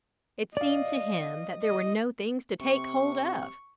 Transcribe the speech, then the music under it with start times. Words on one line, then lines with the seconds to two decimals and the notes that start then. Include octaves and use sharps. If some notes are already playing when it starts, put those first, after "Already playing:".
It seemed to him that there were no things to take hold of!
0.57 D5 D#5 F5
1.62 D#5
2.61 C3 C#6